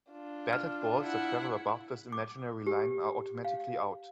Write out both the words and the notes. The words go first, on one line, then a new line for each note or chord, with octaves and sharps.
Batted balls that travel above this imaginary line are automatically out.
D4 F4
F6
E4 F#5
D6
G4
F5